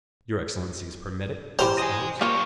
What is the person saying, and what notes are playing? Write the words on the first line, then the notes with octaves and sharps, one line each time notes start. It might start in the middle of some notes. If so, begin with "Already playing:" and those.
"Your excellencies permit it?" asked the host.
E3 G4 C5 A#5
D#5 G#5
G3 A#3 F4 C#5